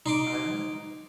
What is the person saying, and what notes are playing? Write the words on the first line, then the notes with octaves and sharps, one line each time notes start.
I know.
D#4 C6 D6